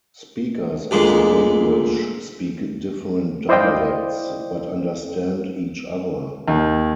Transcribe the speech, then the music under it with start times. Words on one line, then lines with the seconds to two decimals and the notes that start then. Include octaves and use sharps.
Speakers of the language speak different dialects but understand each other.
0.91 D2 A#2 G#3
3.49 E4 C5 D5 D#5 F5 G5
6.48 D#2